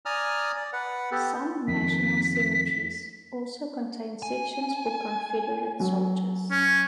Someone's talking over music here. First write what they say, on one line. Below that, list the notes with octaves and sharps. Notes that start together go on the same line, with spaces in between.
Some national cemeteries also contain sections for Confederate soldiers.
D5 G#5 A#5 D#6 F6
D5
B4 F#5
B3 G4 A4
F2 D#3 B6
G#5
F#3
C#4